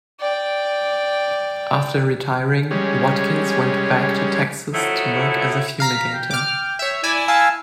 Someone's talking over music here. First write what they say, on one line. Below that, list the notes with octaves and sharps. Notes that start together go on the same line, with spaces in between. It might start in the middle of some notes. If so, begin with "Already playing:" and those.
After retiring, Watkins went back to Texas to work as a fumigator.
D5 G5
G3 G#3 C#4
A2 F3 A3 D#4 E4 F#4
F5 A#5 B6
G5
D6 F6
C#5 E5
E4 D5 G#5 E6
F5 G#5 A5 E6